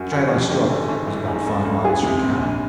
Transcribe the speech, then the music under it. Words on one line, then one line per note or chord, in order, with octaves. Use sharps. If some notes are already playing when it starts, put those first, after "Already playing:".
The trail I struck was about five miles from camp.
Already playing: F#2 F#4
F#2
F3 G4
D3
G#1
G#1
E3
G#2
C#2 A4
C#2
E3 G#4
C3
A#1
A#1